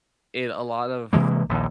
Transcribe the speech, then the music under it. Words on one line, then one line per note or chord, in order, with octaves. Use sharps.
it a lot of
C3 E3 G#3 A#3
A#1 D#2